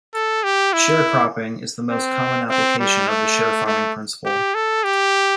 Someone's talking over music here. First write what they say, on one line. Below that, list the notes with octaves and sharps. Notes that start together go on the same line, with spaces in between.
Sharecropping is the most common application of the sharefarming principle.
A4
G4
E4
C4
C4
G3
A3
A3
G4
A4
G4